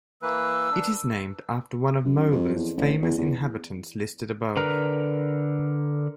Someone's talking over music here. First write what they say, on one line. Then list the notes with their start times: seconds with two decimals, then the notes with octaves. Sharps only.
It is named after one of Mola's famous inhabitants listed above.
0.22 E3 A#3 B4 E6
0.72 D4
2.05 F#2
2.32 F2
2.56 E2
2.77 A1
3.02 E2
3.18 E2
4.57 D3 A#4 B4 A#5